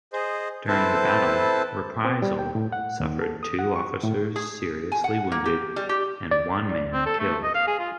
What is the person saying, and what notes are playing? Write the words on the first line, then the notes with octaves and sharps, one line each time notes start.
During the battle, "Reprisal" suffered two officers seriously wounded and one man killed.
G#4 C5 D#5
C4 E4 A4 B4 C5 A5
C4
G3
G5
A2
F#5
D#2
A4
D#6
F#5
C#6
A2
G#4
G#5
F#5
A#3
G4
G3
G4
D5
C4
A4
A3
D#5
F5
G#4
F4